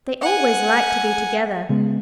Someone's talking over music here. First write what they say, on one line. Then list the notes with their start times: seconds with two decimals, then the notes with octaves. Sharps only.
They always like to be together!
0.21 F#5 G#5
1.69 C#3 G#3 B3